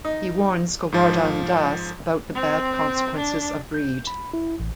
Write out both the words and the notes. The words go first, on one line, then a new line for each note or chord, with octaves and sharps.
He warns Govardhan Das about the bad consequences of greed.
D#4
G#2 F3
C4
D4
G6
B5
E4
A1